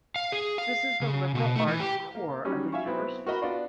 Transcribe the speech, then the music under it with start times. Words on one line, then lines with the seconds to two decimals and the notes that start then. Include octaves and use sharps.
This is the liberal arts core of the university.
0.16 F5
0.32 G#4
0.58 F5
1.01 C#3
1.35 B2
1.55 A3
1.68 E3
1.80 G4
2.15 A#3
2.45 F#3 G3 C#4 D#4
2.72 E5 F5 G#5 C#6
2.86 F#3 B3 C4 E4
3.26 F#4 A#4 D#5 B5
3.42 B3 D4 F4 F#4 D5